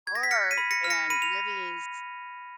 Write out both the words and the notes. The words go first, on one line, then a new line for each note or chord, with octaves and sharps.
hurt and living s"
G#6
A#6
B6
F6 A#6 C#7
B6 D#7
B5
A#6 C#7
F6
A#6 C#7
B5 D#7
F7